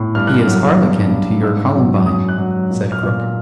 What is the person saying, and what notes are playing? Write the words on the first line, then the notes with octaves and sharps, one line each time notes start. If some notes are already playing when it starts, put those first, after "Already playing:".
"He is harlequin to your columbine," said Crook.
Already playing: A2
G2 F6
F#6
F6
F#3
G2
G2
G#2 E6
F#3
F#2 D#6
F#6
F#3
A#2
F6
A#2